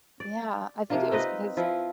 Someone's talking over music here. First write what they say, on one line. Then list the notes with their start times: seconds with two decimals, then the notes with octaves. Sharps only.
Yeah, I think it was because, eh
0.20 D5
0.90 C3 F3 A#3 F4
1.12 C4 D#4 B4 D#5
1.57 F3 E4 F4